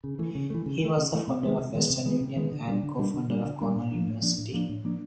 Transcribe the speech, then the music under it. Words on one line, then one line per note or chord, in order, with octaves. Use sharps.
He was the founder of Western Union and a co-founder of Cornell University.
C#3
E3 A3
C#3
E3 A3
C#3
E3 A3
C#3
E3 A3
C3
D#3 G#3 B3
C3
D#3 G#3 B3
C3
D#3 G#3 B3
C3
D#3 G#3 B3
D3
G3 A#3 D4
D3
G3 A#3 D4
D3
G3 A#3 D4
D3
G3 A#3 D4
A2
F3 A#3 D4
A2
F3 A#3 D4
A2
F3 A#3 D4
A2
F3 A#3 D4